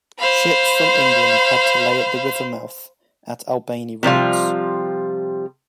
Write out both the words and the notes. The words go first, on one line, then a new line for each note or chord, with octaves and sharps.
Ships from England had to lay at the river mouth at Albany Roads.
C5 F5 B5
C3 F3 G3 F4